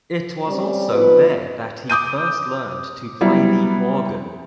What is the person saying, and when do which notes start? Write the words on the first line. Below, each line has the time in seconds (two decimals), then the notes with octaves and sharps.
It was also there that he first learned to play the organ.
0.47 G3 C4 C#4
0.90 F3 B3 D#4 F4 B4
1.90 D6 D#6 G6 D#7
3.21 F#3 G3 B3 E4